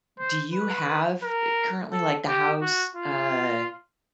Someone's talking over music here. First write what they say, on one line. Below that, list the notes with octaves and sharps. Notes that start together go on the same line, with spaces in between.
do you have currently, eh, like the house, uh,
C5
B4
A#4
A4
G4
F#4
F4